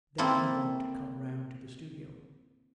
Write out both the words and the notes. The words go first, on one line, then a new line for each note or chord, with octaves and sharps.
'Then he'd want to come round to the studio.
A#3 C4 E4 A4